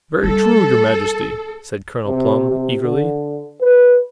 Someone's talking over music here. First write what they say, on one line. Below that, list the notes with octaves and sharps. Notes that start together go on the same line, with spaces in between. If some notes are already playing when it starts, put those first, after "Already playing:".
"Very true, Your Majesty," said Colonel Plum, eagerly.
G3 A4
C3
C3
D3
B4